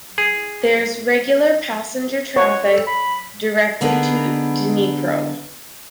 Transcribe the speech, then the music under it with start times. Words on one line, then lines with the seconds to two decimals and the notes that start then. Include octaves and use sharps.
There is regular passenger traffic directly to Dnipro.
0.18 G#4
2.36 C#5 F#5
2.71 A4
2.87 B5
3.81 D3 B3 D4 D#4 G#4 B4